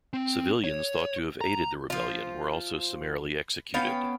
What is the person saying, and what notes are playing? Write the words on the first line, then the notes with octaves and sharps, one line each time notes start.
Civilians thought to have aided the rebellion were also summarily executed.
C4
C#5
A#5
F3 F4
B3 C#4 F5 G5